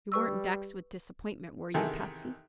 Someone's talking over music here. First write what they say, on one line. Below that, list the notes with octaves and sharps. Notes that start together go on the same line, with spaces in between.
"You weren't vexed with disappointment, were you, Patsy?"
G3 B4 C#6 E6
E2 C3 D#3 G#4 A4 G5